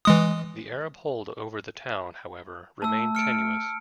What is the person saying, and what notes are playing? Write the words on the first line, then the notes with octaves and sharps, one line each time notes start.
The Arab hold over the town, however, remained tenuous.
E3 G#3 D#6
A3 A5 E6
F6 C#7 D7